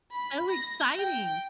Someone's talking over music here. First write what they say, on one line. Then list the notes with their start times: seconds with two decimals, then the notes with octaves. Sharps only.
so exciting,
0.11 B5
0.50 A#6
0.95 G5